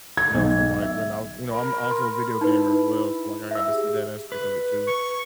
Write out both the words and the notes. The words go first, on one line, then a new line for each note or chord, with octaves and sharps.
you know, from, like, when I was you know, I'm also a video gamer as well, so, like, I got to see that aspect of it too,
G#6
B1
E5
A#4 B5
C6
D#4 E4 B4
E5 E6
G4 G#4
B4
C#6